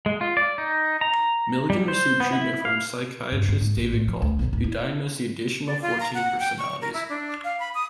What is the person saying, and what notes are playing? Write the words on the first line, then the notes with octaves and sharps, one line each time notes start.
Milligan received treatment from psychiatrist David Caul, who diagnosed the additional fourteen personalities.
G#3
F4
D5
D#4
A#5
G3
C5
B3
E4
F5
G2
C4
G#2
A#1
A2
F3
D2
B1
D1
E4
D5
F4
A#5
F#5
G5
C#6
A#4
E4
D4
F5
B5
D#6